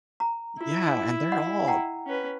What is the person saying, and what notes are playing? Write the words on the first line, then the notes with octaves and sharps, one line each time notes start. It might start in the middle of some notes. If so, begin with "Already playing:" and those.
Yeah, and they're all
A#5
E4 F4
D#5 F#5 B5
F#5 G5 A#5
C#4 B4